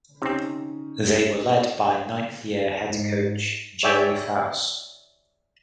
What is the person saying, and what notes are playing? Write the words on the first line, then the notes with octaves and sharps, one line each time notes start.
They were led by ninth–year head coach Gerry Faust.
C3 C4 C#4 D#4
G#2
C#5 D5 E5 G5 G#5